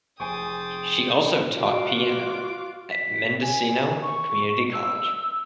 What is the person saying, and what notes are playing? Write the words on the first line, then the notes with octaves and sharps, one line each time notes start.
She also taught piano at Mendocino Community College.
F1 G#4 C5 G5 G#5 C#6 D#6 A6
F4 F#4 F5 D6
B6
G#5
C#6
E6